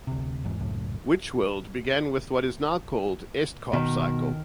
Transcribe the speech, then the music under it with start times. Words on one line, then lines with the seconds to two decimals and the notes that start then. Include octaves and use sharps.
Witch World begins with what is now called the Estcarp cycle.
0.07 D2 C3
0.44 G#1 E2 G#2
0.59 C#2 F#2 A2
3.73 B2 D#3